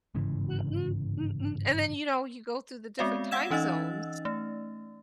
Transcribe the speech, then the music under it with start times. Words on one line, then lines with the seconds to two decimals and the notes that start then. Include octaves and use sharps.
Mm-mm, mm-mm, and then, you know, you go through the different time zones.
0.15 G1 G#2 C#3 E3
2.99 G#3 B3 C4 F#4 D5 F5
3.31 F5 F#5 E6 G#6 E7
3.51 E3 C#4 D#4 D#5 E6 A6
4.25 A3